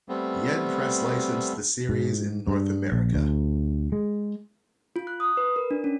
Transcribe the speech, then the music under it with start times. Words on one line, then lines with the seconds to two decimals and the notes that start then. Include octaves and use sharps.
Yen Press licensed the series in North America.
0.09 G3 A3 B3 C4
1.89 G#2
2.47 G2
2.92 A#1
3.13 D2
3.92 G#3
4.96 F4
5.07 F#6
5.20 D#6
5.37 B4
5.56 A#4
5.71 D4
5.84 C#4